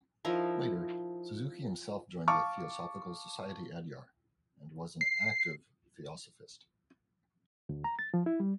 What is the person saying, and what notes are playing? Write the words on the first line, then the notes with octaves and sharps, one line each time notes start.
Later Suzuki himself joined the Theosophical Society Adyar and was an active Theosophist.
F3 D#4 E4 A#4
F5 A5 C#6 D6
C7
D2
A#5
A6
F3
E4
G3